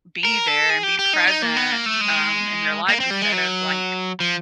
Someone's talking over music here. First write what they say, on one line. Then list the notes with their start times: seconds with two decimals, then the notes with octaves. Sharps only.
be there and be present, um, in their life instead of, like,
0.25 A#4
0.48 A4
0.70 G#4
0.83 G4
0.99 G4
1.13 D#4
1.27 D#4
1.42 A#3
1.56 B3
1.72 A#3
1.86 A3
2.01 G#3
2.88 A#3
3.00 C4
3.11 G3
3.22 G#3
3.32 F#3
4.20 F3